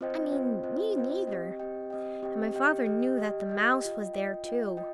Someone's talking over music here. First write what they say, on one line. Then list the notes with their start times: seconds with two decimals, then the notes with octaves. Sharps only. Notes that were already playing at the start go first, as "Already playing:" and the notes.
"I mean, me neither," and my father knew that the mouse was there, too.
0.01 C4 F4 C5 D#5 G5
0.32 C4 F4 C5 D#5 G5
0.64 C4 F4 C5 D#5 G5
0.95 C4 F4 C5 D#5 G5
1.27 C4 G4 D#5 G5
1.60 C4 G4 D#5 G5
1.90 C4 G4 D#5 G5
2.22 C4 G4 D#5 G5
2.54 G4 D#5 G5
2.86 G4 D#5 G5
3.18 G4 D#5 G5
3.49 G4 D#5 G5
3.81 F4 D#5 G5
4.14 F4 D#5 G5
4.45 F4 D#5 G5
4.77 F4 D#5 G5